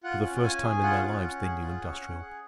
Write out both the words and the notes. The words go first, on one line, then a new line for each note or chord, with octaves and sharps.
For the first time in their lives they knew industrial peace.
F4 F#5
C#4
C#4 G#5
G#4
F4 F#5
C#4
C#4
G#4
F4
C#4
C#4
G#4